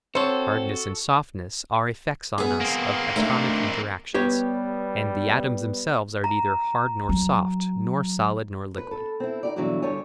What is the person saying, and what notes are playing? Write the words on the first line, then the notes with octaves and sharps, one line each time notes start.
Hardness and softness are effects on us of atomic interactions, and the atoms themselves are neither hard nor soft, nor solid nor liquid.
C4 F#4 A4 C5 C#5
B3 G#4
A#3 C4
A3 D4 D#4
G3 B3 G4 C#5
A#5
F#3
B4
A4
C4 E4
D#4 G4 D5
G2 B2 D3 E3 F#3 G#3
G2 D3 G3 G4 C#5 G#5